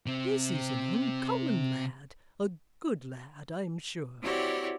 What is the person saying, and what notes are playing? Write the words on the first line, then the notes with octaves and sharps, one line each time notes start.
'This is an uncommon lad; a good lad, I'm sure.'
C3 C4
C4 E4 F#4 G4 C#5 D5